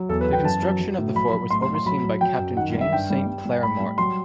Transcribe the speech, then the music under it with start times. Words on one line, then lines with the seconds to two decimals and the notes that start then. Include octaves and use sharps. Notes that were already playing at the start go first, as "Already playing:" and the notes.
The construction of the fort was overseen by Captain James Saint Clair Morton.
Already playing: F#3
0.09 E2 A4
0.21 B4
0.28 E2 G5
0.45 F#2 A5
0.62 F#3
0.80 F#3
0.98 A2
1.15 F#3 B5
1.33 F#3
1.50 A2 C6
1.62 C6
1.68 A2
1.75 C6
1.86 F#3 B5
2.04 F#3
2.21 F#3 G5
2.39 F#2
2.57 D#3 F#5
2.75 G3
2.81 E5
2.92 G2 G5
3.10 G3
3.27 G3
3.45 G3
3.62 A2 B5
3.80 G3
3.98 F#3 C6